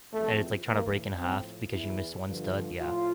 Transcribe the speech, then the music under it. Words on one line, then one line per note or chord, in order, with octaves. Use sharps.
and it's like trying to break in half because you missed one stud, yeah.
E2 C3 F3 A3
A2 E3 A#3
A2 F3 C4
E2 E3 E4
G2 D3 F3
A2 F3 F4